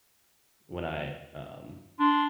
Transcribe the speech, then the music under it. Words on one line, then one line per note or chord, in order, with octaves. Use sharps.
when I um
D4 C6